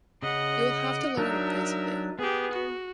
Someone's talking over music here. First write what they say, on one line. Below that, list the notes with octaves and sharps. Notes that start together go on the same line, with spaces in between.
You will have to lower the price a bit.
C#3 D#5 F#5
F#3 D4 D#4 A#4 E5
B3 G4 G#4
F#4